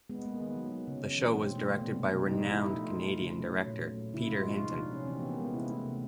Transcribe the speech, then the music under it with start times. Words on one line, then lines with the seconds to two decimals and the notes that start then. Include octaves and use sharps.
The show was directed by renowned Canadian director Peter Hinton.
0.10 G#3 B3
0.25 G#3 A#3
0.40 D#3 B3
0.56 F#3
0.72 F#3
0.87 C#3
1.03 C#3
1.18 E3
1.34 B2 C4
1.49 A3
1.57 D4
1.65 A3
1.81 C3 B3
1.96 G#3 C4
2.12 C3 D4
2.27 A#2 D#4
2.43 F3
2.50 E4
2.59 A3
2.74 A3 F4
2.89 A3
3.05 A3
3.21 C#3
3.36 F#3
3.52 C#3
3.67 A#2
3.83 A3
3.98 A#2
4.14 C#3 E4
4.26 F4
4.29 G#3
4.37 F#4
4.45 F3 F4
4.60 C3 D#4
4.76 F3 D4
4.92 C3 C#4
5.07 E3 C4
5.19 B3
5.22 E3
5.30 A#3
5.39 G#3 B3
5.54 C3 E4
5.70 A3
5.85 C3